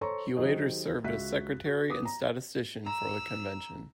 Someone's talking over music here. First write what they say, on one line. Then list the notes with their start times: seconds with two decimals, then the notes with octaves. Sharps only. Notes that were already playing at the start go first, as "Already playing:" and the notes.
He later served as secretary and statistician for the Convention.
0.01 A4 C5 C#5 A#5 C6 C#6
0.36 D#3 F#3 G4 G#4 C5 D#5
1.04 C#2 F#4 E5 F#6 B6
1.65 F#4
1.89 B3 D6 D#6
2.05 A#5
2.86 A#5 E6 F7